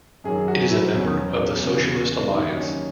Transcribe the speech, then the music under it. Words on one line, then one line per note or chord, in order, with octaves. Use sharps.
It is a member of the Socialist Alliance.
F#2 D#3 F#3 G#4
F#4
E4
E2 B2 F#3 C#4
E2 C#3 E3
D#2 D#3 F#3 D#4
C#4